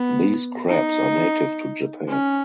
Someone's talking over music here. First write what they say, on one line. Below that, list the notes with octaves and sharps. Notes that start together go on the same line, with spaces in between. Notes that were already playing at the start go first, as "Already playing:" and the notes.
These crabs are native to Japan.
Already playing: B3
D#4
C#4